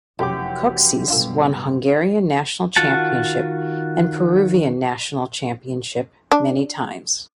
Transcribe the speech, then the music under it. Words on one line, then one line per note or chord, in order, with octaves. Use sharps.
Kocsis won Hungarian national championship and Peruvian national championship many times.
F1 B1 F#2 E3 G4 D6
G2 B2 D4 F4 A4
D#3 F4 F#4 F#5 A5
D4